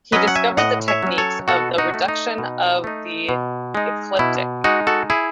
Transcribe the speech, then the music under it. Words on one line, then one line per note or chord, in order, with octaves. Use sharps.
He discovered the techniques of 'the reduction of the ecliptic'.
F#3 C#4 B4 D#5
F#5
E5 G#5
A2 D#5 F#5
C#5 E5
F#3 C#4
A4 C#5
B2 F#4 A4
D#4 F#4
A3 D#4
D#4
B2
A3 D#4
B2
G#3 D#4
B2 E4
G#3 D#4 F#4
F#4 A4
E4 G#4